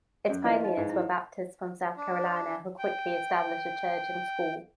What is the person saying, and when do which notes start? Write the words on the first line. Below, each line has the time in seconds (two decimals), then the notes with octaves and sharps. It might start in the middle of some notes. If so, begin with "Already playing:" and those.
Its pioneers were Baptists from South Carolina who quickly established a church and school.
0.29 F#2
0.44 E3 F4 D5 D#5 F5
0.64 D#4 D#5
0.77 G#2
0.89 E4
1.97 D4
2.79 G5